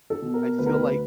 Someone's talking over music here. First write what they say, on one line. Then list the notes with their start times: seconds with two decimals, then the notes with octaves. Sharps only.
I feel like
0.10 A4
0.22 B2
0.34 A#4
0.58 D2 B4
0.66 A#4
0.74 B4